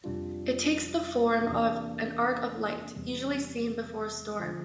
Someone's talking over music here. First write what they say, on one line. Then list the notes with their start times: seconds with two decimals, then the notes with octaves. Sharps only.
It takes the form of an arc of light, usually seen before a storm.
0.04 F2 C3 G3 D4 F4
1.49 E2 C3 E3 A#3 D4
2.95 E2 C3 G3
4.40 D3 F3